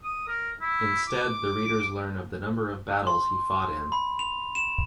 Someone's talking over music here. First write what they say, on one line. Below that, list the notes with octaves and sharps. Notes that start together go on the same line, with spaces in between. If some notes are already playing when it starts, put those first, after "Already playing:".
Instead the readers learn of the number of battles he fought in.
D#6
A#4
E4
D6
C6
B5
F7
E7